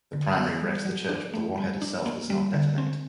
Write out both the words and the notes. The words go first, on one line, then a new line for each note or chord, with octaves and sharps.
The primary wrecks the church, but the warhead itself does not detonate.
D3
B3
G3
F#3
D4
A3
G3
D4
A#3
G3
D3
C4